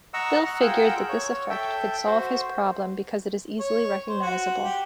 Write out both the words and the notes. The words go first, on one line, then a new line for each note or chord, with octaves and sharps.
Bill figured that this effect could solve his problem because it is easily recognizable.
D#5 F#5 A#5 C#6 E6
F#5 F#6
F4 G#4 A#4 F#5 G5 E6
C#5
A4 E5 G5
F#4 C5
C#5
C5
F#4
G4